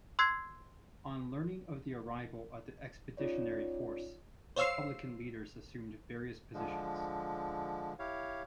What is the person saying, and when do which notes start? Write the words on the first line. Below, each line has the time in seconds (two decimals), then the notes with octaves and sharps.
On learning of the arrival of the expeditionary force, republican leaders assumed various positions.
0.19 C6 E6 F#6 G#6 C7
3.17 C#4 D#4 F4 C#5 D5
4.56 C5 C#5 F5 E6 C7
6.54 D3 F3 G#3
7.99 E4 G4 C#5 F5